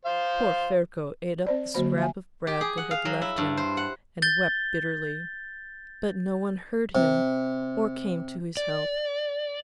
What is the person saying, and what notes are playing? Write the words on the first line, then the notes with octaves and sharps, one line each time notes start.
Poor Ferko ate up the scrap of bread they had left him and wept bitterly, but no one heard him or came to his help.
C5 F5
C4 C5 D5
D3 F#3 A#3 F#4 C5 B5
E5 G#5
G4
G#4
F#5
F5
F#3
E4
G2
C5
F#5
G6 A6 G7
C3
D5